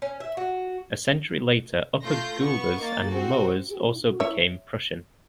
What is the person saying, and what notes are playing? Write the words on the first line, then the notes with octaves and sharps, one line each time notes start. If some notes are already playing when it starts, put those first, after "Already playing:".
A century later, Upper Guelders and Moers also became Prussian.
C#4
E5
F#4
A3 F4 C6 G6 A#6
B3 C#6
A#3 D#4 A6
C4 F#4
C#5 E5